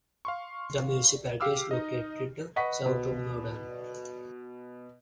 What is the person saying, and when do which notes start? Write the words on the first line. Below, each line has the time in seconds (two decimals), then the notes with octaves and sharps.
The municipality is located south of Moudon.
0.25 F5 C6 C#6
1.40 G4 F5 D6 E6 F6
1.71 D#4 D#5
2.56 B4 D#5 F#5 C#6 B6
2.86 B2